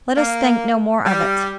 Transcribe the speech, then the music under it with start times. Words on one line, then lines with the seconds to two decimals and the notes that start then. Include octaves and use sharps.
Let us think no more of it.
0.17 A#3
1.05 G3